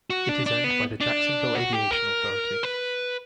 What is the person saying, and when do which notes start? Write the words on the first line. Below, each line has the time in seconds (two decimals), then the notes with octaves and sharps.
It is owned by the Jacksonville Aviation Authority.
0.10 F#4
0.29 D4
0.46 D4
0.64 B3
1.01 D4
1.55 F#4
1.73 G4
1.91 A#4
2.63 B4